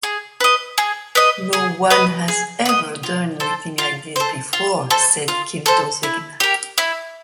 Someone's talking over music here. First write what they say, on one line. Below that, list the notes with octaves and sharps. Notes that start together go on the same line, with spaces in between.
"No one has ever done anything like this before", said Gildo Zegna.
G#4
B4 D#5
G#4
B4 D#5
G#4
B4 D#5
G#4
B4 D#5
F4
A4 C5
F4
A4 C5
F4
A4 C5
F4
A4 C5
E4
G4 A#4
E4